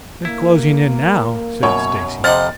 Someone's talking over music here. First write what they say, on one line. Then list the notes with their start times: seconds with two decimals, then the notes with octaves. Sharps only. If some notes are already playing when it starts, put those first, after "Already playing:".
"They're closing in now," said Stacy.
0.25 A#3 E4 A#4
1.63 F#2 B2 C#5
2.24 F2 C3 C5 D#5 F#5 F6 A6